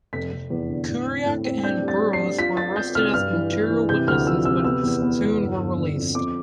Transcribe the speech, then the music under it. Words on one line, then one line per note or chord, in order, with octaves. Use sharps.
Kerouac and Burroughs were arrested as material witnesses but soon were released.
F1 B6
F1
E2
D3
A2
C4
A2
C4
D4 G6
G3
A6
G3
C7
D4
F4 B6
F4 A6
F4 G6
C2 F6
G2 F6
E3
E3
E3
C3 G6
D2 F6
F3 E6
C3 E6
B3 E6
E2
B3
E2
G1
G1
D3
F2
F2 D6